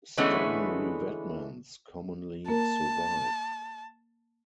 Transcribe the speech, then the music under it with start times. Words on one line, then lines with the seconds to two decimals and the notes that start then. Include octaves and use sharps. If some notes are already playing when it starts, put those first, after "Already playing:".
Stone revetments commonly survive.
0.17 D3 E3 G#3 A3 B3 C#4
2.48 A#3 A#4 A5